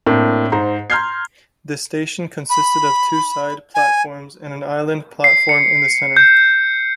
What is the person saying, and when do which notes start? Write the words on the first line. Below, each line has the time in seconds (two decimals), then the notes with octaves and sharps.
This station consisted of two side platforms and an island platform in the centre.
0.06 A2 A#3 C4 D4
0.52 G#2 C5 A#5
0.90 A#5 C6 F6 G6 G#6 C7
2.50 B5
3.75 G#5
5.24 C7
5.49 C#7
6.17 G6 C#7